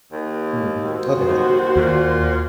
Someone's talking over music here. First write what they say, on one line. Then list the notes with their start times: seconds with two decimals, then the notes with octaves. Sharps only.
Mm. Okay, I see
0.12 D#2
0.87 F#4 C5
1.27 D#2
1.76 D#2 A#2